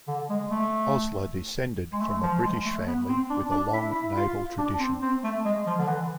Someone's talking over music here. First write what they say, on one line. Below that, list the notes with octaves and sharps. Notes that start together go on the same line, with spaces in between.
Osler descended from a British family with a long naval tradition.
D3
G#3
A3
G#3
A3
F3
F3
G#3
A3
B3
C4
D4
D4
E4
E4
F4
D4
C4
C4
A3
G#3
F3
D3
E3